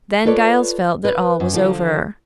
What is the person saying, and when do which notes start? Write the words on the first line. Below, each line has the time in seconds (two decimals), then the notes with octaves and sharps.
Then Giles felt that all was over.
0.25 F4 A4 B4 C#5 D5
1.05 B4
1.40 F#2
1.53 D3 F3 F4